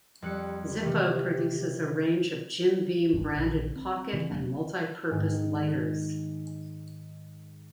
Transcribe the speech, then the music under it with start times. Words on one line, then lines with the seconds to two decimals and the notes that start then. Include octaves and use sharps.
Zippo produces a range of Jim Beam branded pocket and multi-purpose lighters.
0.22 F2 G3 F#6 C#7
0.80 C3 D#3 E3 G4
3.13 G1 C2 G2
3.24 D4
3.36 A#1 D3 D#3
3.76 C4
4.13 C#3 E3 C4
4.30 E1 F#3 A#3 D4
5.11 G#2 D#3